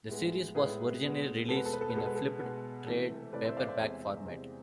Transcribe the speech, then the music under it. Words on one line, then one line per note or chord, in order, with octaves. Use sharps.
The series was originally released in a flipped trade paperback format.
A2 G#3 B3
A2 G#3 B3 G#4 B4
B2 G#3 B3
B2 G#3 B3 A4
B4
A4
B4
A4
B4
B2 G#3 B3 A4
B4
A4
B2 G#3 B3
C3 E3 A3 A4
C3 E3 A3 B4 D5
C5 E5
D5 F5
C5 E5
E2 C3 G#3
E2 C3 G#3